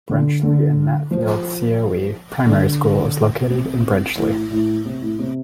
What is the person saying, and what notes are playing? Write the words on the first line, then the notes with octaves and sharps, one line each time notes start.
Brenchley and Matfield CoE primary school is located in Brenchley.
D3
D3
F3
D3
C3
A2
A2
C3
A2
C3